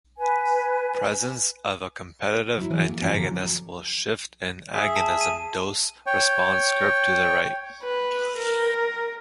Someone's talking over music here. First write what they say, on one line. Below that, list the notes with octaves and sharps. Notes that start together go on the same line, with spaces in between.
Presence of a competitive antagonist will shift an agonism dose-response curve to the right.
B4 G#5
F#3 E4
E3 F#4 G#4
A#3
F3 C4 C#4
D3 F#3 F4 A#4
G#4 E5
A5
D#7
C#5 G5
B4
A#4